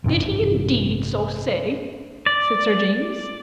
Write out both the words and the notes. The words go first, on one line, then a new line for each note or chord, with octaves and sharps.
"Did he indeed so say?" said Sir James.
A1 G2 C3 D4
D5